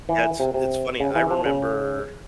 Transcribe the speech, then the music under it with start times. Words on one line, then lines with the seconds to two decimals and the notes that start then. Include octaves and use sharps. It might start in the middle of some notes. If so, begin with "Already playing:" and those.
That's it's funny, I remember
0.09 E3
0.40 C3
0.54 C3
1.00 C#3
1.15 E3
1.31 F3
1.45 C#3